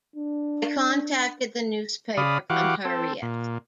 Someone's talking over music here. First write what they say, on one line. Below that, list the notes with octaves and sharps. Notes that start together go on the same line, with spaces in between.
I contacted the newspaper Cumhuriyet.
D4
C#3 D5 F5 B5 D#6
E3 F#4 G4 F5 F#5 D6
C4 A4
A#2